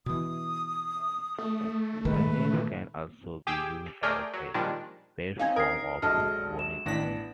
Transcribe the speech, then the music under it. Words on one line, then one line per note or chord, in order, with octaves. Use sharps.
The name can also be used as a pet form of Bonita.
B2 E3 D#6
A3
A#2 D#3 G#3 B4
G4 G#4 G5 D6 E6
A3 G#4 A#4 D5 G5
F#3
A#2 D#3 F3 G3 G#3 D4
C4 C#4 D#4 F5 G#5 G#6
A#4 D#6 C7
A#1 F#3 G#3 D4 A4 D#5 F6
E7
A1 D#3 D4 B4 A#6 B6
B3